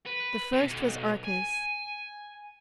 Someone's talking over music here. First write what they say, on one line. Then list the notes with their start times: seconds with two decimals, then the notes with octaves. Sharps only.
The first was Arcas.
0.06 B4
0.53 C3
0.70 B1
1.24 G#5